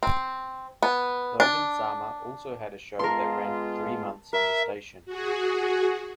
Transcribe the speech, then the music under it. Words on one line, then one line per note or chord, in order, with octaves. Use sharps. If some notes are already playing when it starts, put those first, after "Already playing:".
Logan Sama also had a show that ran for three months on the station.
C4
B3
D4
G#3 B3 F4 A#4 A5 C6
A#4 E5
F#4 G#4